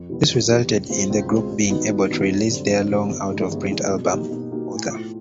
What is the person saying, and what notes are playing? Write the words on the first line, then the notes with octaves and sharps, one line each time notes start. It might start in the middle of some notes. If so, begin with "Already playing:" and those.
This resulted in the group being able to release their long out-of-print album Author!
Already playing: F2
C3 E3 G3 B3
F2
C3 E3 G3 B3
C#2
B2 G#3 C4 F4
C#2
B2 G#3 C4 F4
G2
D#3 F#3 B3 D#4
G2
D#3 F#3 B3 D#4
F#2
D3 G3 C4
F#2
D3 G3 C4
G1
G2 E3 G#3
G1
G2 E3 G#3
B2
F#3 A#3 D#4 G4
B2
F#3 A#3 D#4 G4
A2
F3 A3